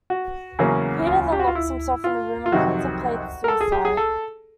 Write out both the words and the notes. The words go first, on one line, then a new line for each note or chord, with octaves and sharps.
Peter then locks himself in a room and contemplates suicide.
F#4
E2 C#3 F#3 A#3 C#4
F4
G4
F#4
F4
E4
F4
F4
F2 C3 D#3 F#3 F#4
A#4
A4
G#4
G4
G#4
A4